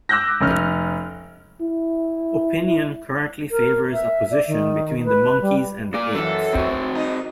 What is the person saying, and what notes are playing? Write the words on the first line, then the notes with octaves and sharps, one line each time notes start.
Opinion currently favors a position between the monkeys and the apes.
D6 E6 F#6 G6 A#6
F1 C#4 E6 F6
E4
A#4
E5
D5
D#3
B4
G3
A#3 D5
F#2 E3 A4
C4 F#4
D#4